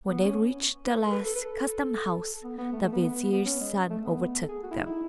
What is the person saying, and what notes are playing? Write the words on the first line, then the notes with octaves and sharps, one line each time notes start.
When they reached the last custom-house the vizier's son overtook them.
B3
C#4
B4
A4
B4
A4
B4
A4
B3
B3
A3
A3
B3
B3
C#4
G#3
A3
B3
A4
G#4
F#4
E4
D#4
E4